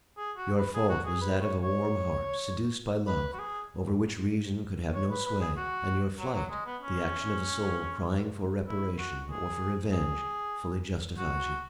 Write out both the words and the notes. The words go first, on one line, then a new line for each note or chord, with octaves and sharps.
Your fault was that of a warm heart seduced by love, over which reason could have no sway, and your flight-- the action of a soul crying for reparation or for revenge-fully justifies you.
G#4
F#4
B4
G#4
F#4
G#4
B4
C#5
C#5
B4
F#4
G#4
C#5
B4
B4
G#4
F#4
F#3
F#3
G#3
B3
C#4
E4
F#4
G#4
G#4
F#4